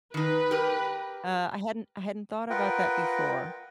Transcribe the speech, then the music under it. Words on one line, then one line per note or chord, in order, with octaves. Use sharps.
Uh, I hadn't I hadn't thought about that before.
D#3 D#4 B4
G4 A#4
F4 A#4 B4 D#5 F#5 G5